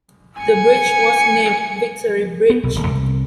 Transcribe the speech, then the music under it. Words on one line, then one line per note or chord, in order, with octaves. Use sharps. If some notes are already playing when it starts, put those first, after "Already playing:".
The Bridge was named "Victory Bridge".
G#5 C#7
B3
B1
D1
C2